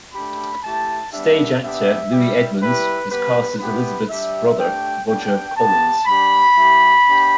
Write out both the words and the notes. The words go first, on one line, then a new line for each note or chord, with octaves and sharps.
Stage actor Louis Edmonds was cast as Elizabeth's brother Roger Collins.
A3 D4 G4 B5
A3 E4 G4 A5
G3 B3 D4 G4 E5
B3 D4 G4 E5
G3 E4 G4
G3 E4 G4 B4
G3 B3 G4 B4
B3 E4 G4 B4
G3 D4 G4 E5
A3 D4 G4 G5
B3 D4 G4 G5
B3 G4 A5
G3 D4 G4 B5
G3 E4 G4
B3 D4 G4